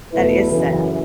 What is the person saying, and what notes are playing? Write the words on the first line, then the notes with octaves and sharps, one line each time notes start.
That is sad.
E2 B2 A3 E4 B4
F#2 C#3 E3